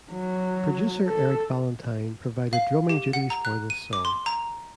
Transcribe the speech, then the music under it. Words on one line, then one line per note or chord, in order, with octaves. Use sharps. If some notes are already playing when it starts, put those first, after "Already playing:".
Producer Eric Valentine provided drumming duties for this song.
F#3
A4
F5
G4
F#5
A#5
F#6
D#7
D6
C6
A#5